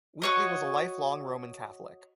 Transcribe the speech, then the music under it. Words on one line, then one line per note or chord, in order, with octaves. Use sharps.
Wheatley was a lifelong Roman Catholic.
F#4 C#5 D#5